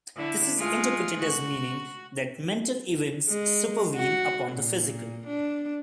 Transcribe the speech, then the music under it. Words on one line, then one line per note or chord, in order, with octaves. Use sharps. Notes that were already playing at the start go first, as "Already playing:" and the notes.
This is interpreted as meaning that mental events supervene upon the physical.
D3 E4
G#3 A3 F4
F#4
G#3
F#4
A#2
D4